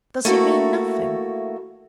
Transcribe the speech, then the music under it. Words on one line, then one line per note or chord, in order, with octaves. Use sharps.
"Does it mean nothing."
A3 A#3 E4 F#4